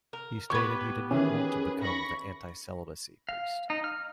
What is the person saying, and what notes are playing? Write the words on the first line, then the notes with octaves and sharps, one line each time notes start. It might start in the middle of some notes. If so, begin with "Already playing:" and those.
He stated he did not want to become the "anti-celibacy priest".
A#4
B3 G4 B4 C#6 G#6
D#3 E3 C#4 G#4 B4
B5 C#6 A#6
F5
D#4
F6